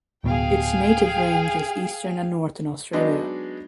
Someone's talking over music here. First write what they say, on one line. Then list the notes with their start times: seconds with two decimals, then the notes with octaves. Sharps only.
Its native range is Eastern and Northern Australia.
0.24 D1 B2 G#4 F5 G5
2.93 F#3 G#3 B3 D4 D#4